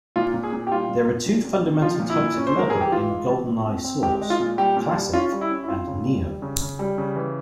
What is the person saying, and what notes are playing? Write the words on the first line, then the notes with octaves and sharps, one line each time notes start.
There are two fundamental types of level in "GoldenEye: Source"; "Classic" and "Neo".
A#2 F4
A#2
G#4
A#2
G4
G3 F4
A#2
A#2
A#2
A#2
C4
F3 F4
A#2
E4
A#2
C#4
C5
G#3 A#4
E3 G#4
G4
E3 F4
G#3
E3
A#2
C4
C4
G#3 G4
G#3
F4
A#2
G3 G4
A#2
G3
C#4 F4
G3
E4
C#4
E4
C4 F4
C#3
G3
G3
C#3
C#3
G3
C#3
E3